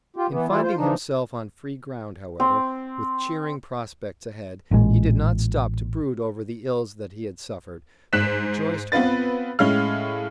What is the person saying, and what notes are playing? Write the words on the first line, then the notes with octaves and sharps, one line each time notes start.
In finding himself on free ground, however, with cheering prospects ahead, he did not stop to brood over the ills that he had suffered, but rejoiced heartily.
F4 G4
E3 B3
E3 G3 E4 F4
F4 C5
D3 E3 F3 D4 D#4
C4
A1 A#2 G#3
G#2 F#6 B6 E7
B3 C4 F4 B4 A6
A2 G#3 C#4 F5 F6